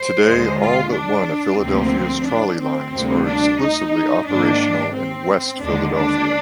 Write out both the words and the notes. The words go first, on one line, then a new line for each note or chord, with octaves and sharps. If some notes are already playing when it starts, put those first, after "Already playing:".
Today, all but one of Philadelphia's trolley lines are exclusively operational in West Philadelphia.
Already playing: C5
D#2 D3 G#3
F4
D4
D2 C3 F3 A#3 C4
D4
C4
D2 C3 G3 A#3
D4
D#4
G#2 D#3 A#3 D4
C4
D#2 D3 G#3 D4
D4